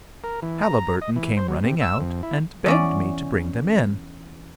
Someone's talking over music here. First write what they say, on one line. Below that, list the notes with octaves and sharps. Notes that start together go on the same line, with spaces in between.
Haliburton came running out, and begged me to bring them in.
A#4
E3
A#5
D#5
E3
C5
F#3
C3
E6
F2
E4
E2 C#4 D5